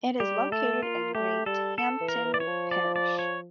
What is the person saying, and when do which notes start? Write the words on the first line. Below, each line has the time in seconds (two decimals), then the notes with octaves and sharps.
It is located in Great Hampden parish.
0.20 G3 G4
0.52 A3 A4
0.82 A#3 F4
1.15 A3 G4
1.46 G3 A4
1.78 A4
2.01 E3
2.08 A#4
2.25 E3
2.34 D5
2.40 C#5
2.47 F3
2.71 D5
2.96 D5
3.19 C#5